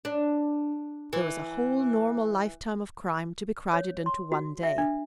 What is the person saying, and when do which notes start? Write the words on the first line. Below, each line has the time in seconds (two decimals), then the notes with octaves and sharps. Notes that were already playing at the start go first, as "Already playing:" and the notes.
There was a whole normal lifetime of crime to be crowded into one day.
0.05 D4
1.13 E3
3.73 C#5
4.06 C6
4.32 F#4
4.63 E5
4.78 D4